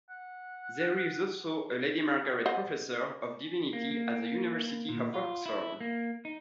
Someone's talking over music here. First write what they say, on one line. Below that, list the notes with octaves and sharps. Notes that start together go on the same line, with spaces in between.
There is also a Lady Margaret Professor of Divinity at the University of Oxford.
F#5
C5 D#5 F#5
A#3
A#3
A#2
F4
E4
A#3
D#4